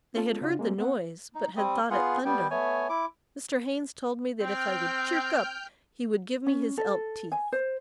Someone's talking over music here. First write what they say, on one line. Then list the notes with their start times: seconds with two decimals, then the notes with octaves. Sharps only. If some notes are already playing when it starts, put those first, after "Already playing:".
They had heard the noise, but had thought it thunder. Mr. Haynes told me that if I would "chirk up" he would give me his elk teeth.
0.14 B3 C#4 F4 A4
0.41 C#3 D4 F4 F#4
0.59 G#3 A#3 C4
0.78 B3 C4 F#5
1.35 D#4
1.57 G3 C4 D#6
1.90 B3 F4 G#4 F#5
2.25 G3 B3 G5
2.51 A3 B3 C#5 G#5
2.89 E4 D6
4.41 C4 G5 F6 G6
6.46 C#4
6.78 A4
7.32 G#5
7.52 C5